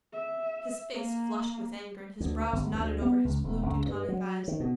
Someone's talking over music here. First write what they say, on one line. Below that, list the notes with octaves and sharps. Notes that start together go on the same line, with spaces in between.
His face flushed with anger, and his brows knotted over his blue Teutonic eyes.
E5
A#3
D2
G1
D2
B3
C#2
E1
C#2
G2
F#3
D#3
B2